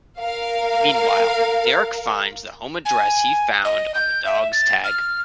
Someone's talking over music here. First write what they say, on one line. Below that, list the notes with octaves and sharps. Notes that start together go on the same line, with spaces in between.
Meanwhile, Derek finds the home address he found on the dog's tag.
A#4 F5
G#5
D#5
G6
E5
A6
F6